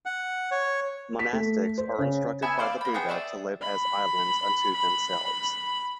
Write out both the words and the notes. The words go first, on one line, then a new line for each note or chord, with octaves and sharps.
Monastics are instructed by the Buddha to live as "islands unto themselves".
F#5
C#5
B6
A3
C5
C#3
B3 E5 G#5 B5
C5 D5 F5
A#3 B5
B3 G#4 C5 G5
D5 E5 C6 D#6
B5
B5